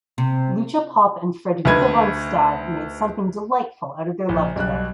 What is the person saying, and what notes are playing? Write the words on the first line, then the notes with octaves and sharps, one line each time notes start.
Lucia Popp and Frederica von Stade made something "delightful" out of their love duet.
C3
D2 D#4 B4 G#6
A#1
B1 B2 G3 F#6